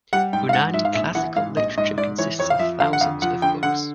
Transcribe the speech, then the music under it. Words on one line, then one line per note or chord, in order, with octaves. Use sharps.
Unani classical literature consists of thousands of books.
G3 F#5
G#2 G5
F5
G#2 F#5
G#2 E5
F5
A#1 E5
E3 F#5
G#2 F5
A#1 D#5
G#2 D#5
G#2 D5
E3 C#5
F2 C#5
F5
F3 E5
D3 F5
F#5
F2 F5
F3 F#5
D3 G5
D3 F#5